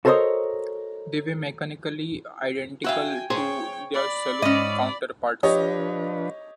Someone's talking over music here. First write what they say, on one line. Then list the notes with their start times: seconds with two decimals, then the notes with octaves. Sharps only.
They were mechanically identical to their saloon counterparts.
0.05 F#4 A4 A#4 C5 C#5 D#5
2.84 F#4 E5 F5 G5 G#5
3.30 G#4 C5 C#5 G5 G#5
3.94 D5 B5
4.42 G#2 C#4 D#5
5.43 F3 D4 G4 B4 C#5 D#5